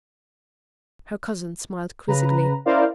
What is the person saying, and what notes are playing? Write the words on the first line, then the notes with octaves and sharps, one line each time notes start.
Her cousin smiled quizzically.
C#3 B4 A#5
C#4 E4 A#4 C5 D5 F5